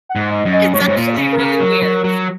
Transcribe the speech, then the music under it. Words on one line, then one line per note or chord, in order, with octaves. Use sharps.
It's actually really weird.
F#5
G#2
D#5
F#2
D#5
G#2 C#5
F#2
G#2
A#2
C#3
A#4
C#3
F#3
F#3
F#3